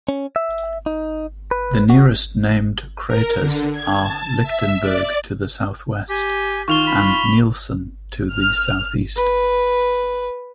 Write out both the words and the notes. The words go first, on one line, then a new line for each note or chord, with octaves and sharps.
The nearest named craters are Lichtenberg to the southwest and Nielsen to the southeast.
C#4
E5
D#4
B4
F#4
A#4
D3
G#6
A5
E5
D5
G4 G#5
D#3 F4 C#6 F7 G7
B5
F6
B4